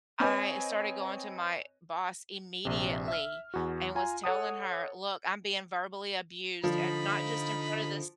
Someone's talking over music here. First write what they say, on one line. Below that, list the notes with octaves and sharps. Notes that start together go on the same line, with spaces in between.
I started going to my boss immediately and was telling her, "Look, I'm being verbally abused and not just in front of this"
C4 B4 C#5 D#5 G#5
A#1 C3
E5 F6
E2 F#4
F4 G#5 A#5
A4 C#5 F#5 D#6
D3 F3 D#4 B5